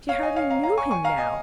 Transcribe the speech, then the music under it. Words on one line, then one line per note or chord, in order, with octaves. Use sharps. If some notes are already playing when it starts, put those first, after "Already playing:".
She hardly knew him now!
C#5 F5
D#5 G#5
C#5 F5
F5 A#5
F5 A#5
G#5 C#6
G#5 C#6
F5 A#5
D#5 G#5